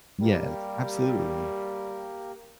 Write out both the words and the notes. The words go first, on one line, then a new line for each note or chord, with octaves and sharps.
Yes. Absolutely.
G3 A#3 G4 A#4